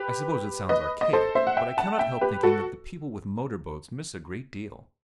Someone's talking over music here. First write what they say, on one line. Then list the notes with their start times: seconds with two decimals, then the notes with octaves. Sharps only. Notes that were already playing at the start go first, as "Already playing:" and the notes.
I suppose it sounds archaic, but I cannot help thinking that the people with motor boats miss a great deal.
Already playing: G4 B4
0.69 B4 D#5
1.01 D#5
1.13 A4 C5
1.35 C5 E5
1.47 F#5
1.57 E5 G5
1.78 F#5 A5
1.99 E5 G5
2.21 G4 B4
2.43 F#4 A4